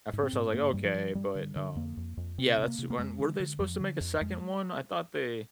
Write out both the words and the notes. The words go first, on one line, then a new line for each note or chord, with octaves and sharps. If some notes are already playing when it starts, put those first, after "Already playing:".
at first I was like, okay, but um yeah, that's when weren't they supposed to make a second one? I thought they
G#2
C4
G#2
G2 A#3
G2 G3
F3
G2
G2 G3
D3
D3
F2 A#3
F2
F2
C3 C4
C3
C4
A#3
C3
A#3
F2 G#3
D3
D3
F2 F3
D3
F2
F2 G#3